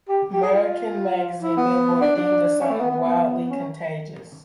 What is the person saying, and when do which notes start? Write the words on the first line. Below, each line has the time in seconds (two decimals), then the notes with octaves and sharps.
American magazine "Billboard" deemed the song "wildly contagious".
0.09 G4
0.33 G4
0.43 G#4
0.53 F4
1.42 E4
1.57 B3
2.01 D4
2.16 D4
2.61 C#4
2.71 A3
2.81 B3
2.91 B3
3.05 B3
3.50 C#4